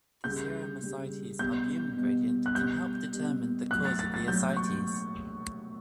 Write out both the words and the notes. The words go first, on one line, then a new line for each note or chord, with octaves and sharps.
The serum-ascites albumin gradient can help determine the cause of the ascites.
C#3 G3 G6
C#3 G3
B2 G3 G6
B2 G3
F#6
B2 G3 G6
B2 G3
A2 F#3 F#6
A6
A6
A6
A2 F#3 G6
C#6